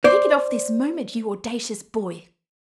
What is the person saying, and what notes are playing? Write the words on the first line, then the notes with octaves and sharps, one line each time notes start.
'Take it off this moment, you audacious boy!
C5 D5